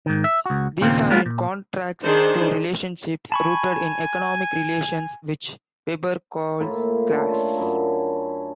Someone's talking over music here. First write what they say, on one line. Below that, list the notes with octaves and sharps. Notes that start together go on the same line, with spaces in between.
These are in contrast to relationships rooted in economic relations, which Weber calls class.
G#2 D#3
E5
C#2 F#4
D#2 A#2 C#3 A#3 C4
G#3 A#3 B3 F4
A#2
D#3 D4 G#4 C5
G#5 A5 B5 C#6
A2 A#3 E4 F4
C#4 D4 E4
F4
F#2 E4 A#4